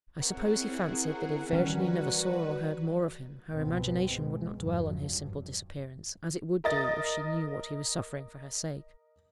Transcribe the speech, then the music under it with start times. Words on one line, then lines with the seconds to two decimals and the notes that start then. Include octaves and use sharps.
I suppose he fancied that, if Virginie never saw or heard more of him, her imagination would not dwell on his simple disappearance, as it would do if she knew what he was suffering for her sake.
0.21 C4 E4 G#4 A#4 C#5 F#5
1.53 D#3 E3 G3 C#4 F#4 B4
3.51 C#2 G#2 B2 B3 C4
4.08 B2 G#3
4.55 F1 D2 G#2 C#3 F3 F#3
5.01 G2
6.64 A#4 D#5 A6